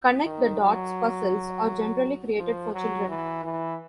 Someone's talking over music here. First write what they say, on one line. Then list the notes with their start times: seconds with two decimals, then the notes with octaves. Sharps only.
Connect the dots puzzles are generally created for children.
0.25 D#3
0.60 F#3
2.38 F3
2.73 F#3
3.09 E3
3.44 E3